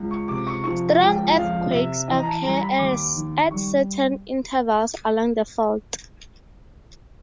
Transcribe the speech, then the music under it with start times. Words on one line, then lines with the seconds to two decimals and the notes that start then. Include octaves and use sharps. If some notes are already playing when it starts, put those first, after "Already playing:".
Strong earthquakes occur at certain intervals along the fault.
Already playing: C#2
0.11 C#6
0.28 C3 D6
0.47 C#6
0.64 F3 C#6
0.99 C#2 G5
1.36 F2 F5
1.71 C3 E5
2.08 E3 D#5
2.19 A#5
2.26 A5
2.43 G3 A#5
2.61 B5
2.79 D#2 D6
3.15 D#3
3.51 G3 C#6